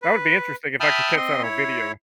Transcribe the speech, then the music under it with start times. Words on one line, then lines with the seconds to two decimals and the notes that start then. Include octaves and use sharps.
That would be interesting if I could catch that on video.
0.02 B4
0.80 E5 G5 A5 B5 D#6 F6
1.16 C4 D#5 C6
1.43 E4 C#5